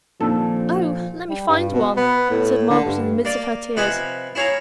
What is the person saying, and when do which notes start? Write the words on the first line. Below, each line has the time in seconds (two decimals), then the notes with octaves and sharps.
'Oh! let me find one,' said Margaret, in the midst of her tears.
0.21 A#2 D#3 F3 C4 D4 A4
1.29 G3
1.48 G2
1.72 B2
1.97 B3
2.31 A2
2.70 D3
2.85 G2
3.25 A#3 D5
3.77 C3 F3 B4 D#5 G#5 B5
4.35 E4 G#4 C#5 F5 A#5